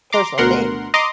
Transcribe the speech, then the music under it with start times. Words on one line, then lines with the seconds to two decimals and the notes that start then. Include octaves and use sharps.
Personal thing.
0.13 A#5 C6 D6
0.38 D2 B2 A#4 F#5 C6
0.94 D#5 A#5 C6 D6